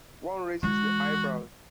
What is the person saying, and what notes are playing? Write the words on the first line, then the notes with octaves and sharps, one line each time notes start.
One raises the eyebrows.
E3 G#3 F#4